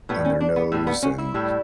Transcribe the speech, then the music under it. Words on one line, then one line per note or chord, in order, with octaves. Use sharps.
on their nose, and
A2 G3 B3
C#4
D4
B3
A2 G3 A3
B3
C#4
E4
A2 G3